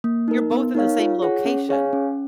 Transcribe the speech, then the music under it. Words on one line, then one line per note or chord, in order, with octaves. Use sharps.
You're both in the same location.
A#3
D#4 A#4
B3
D#4 A#4 C#5 F5
F4
G#4 C#5 F#5
C#4
G#4 C#5 F5 G#5
C#4